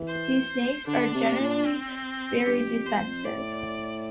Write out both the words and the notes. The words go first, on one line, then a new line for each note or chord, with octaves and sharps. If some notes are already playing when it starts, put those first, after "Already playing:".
These snakes are generally very defensive.
Already playing: E3
C5
D3 D4
C3
A#2
C4
G2 G4
F2
E2 C5
F2
A2 D5